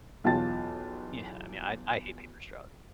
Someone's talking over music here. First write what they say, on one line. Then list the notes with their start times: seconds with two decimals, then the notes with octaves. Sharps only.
Yeah, I mean, I I hate paper straws.
0.24 B1 E2 F4 G5 A5 A6